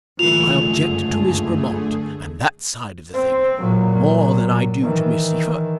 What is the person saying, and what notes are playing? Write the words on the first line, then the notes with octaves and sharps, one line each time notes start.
"I object to Miss Grammont and that side of the thing, more than I do to Miss Seyffert."
C2 A#2 D3 E3 A3 F4 G#4 F7
F#1 C#2 G2
C4
A#2 F#3
D#3 E3